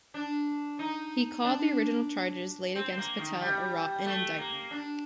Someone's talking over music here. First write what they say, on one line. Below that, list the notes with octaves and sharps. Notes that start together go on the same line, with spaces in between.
He called the original charges laid against Patel a "rotten indictment.".
D4
D#4
D4
C4
A#3
D#3
G3
A3
A#3
D4